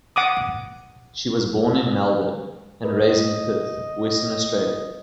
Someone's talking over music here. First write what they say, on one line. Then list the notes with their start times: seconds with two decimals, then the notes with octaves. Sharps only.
She was born in Melbourne and raised in Perth, Western Australia.
0.16 F#5 D6 D#6
2.84 A#4 B4 D#5